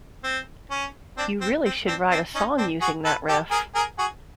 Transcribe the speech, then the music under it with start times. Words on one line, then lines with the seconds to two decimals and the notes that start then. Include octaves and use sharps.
You really should write a song using that riff.
0.24 C4
0.71 C#4
1.17 C4 D4
1.41 C4
1.65 C4
1.87 C4 D4
2.11 C4 D4
2.35 C#4 D#4
2.58 C4 D4
2.81 F#4 G#4
3.05 A4 B4
3.29 G4 A4
3.51 G#4 A#4
3.75 G#4 A#4
3.98 F#4 G#4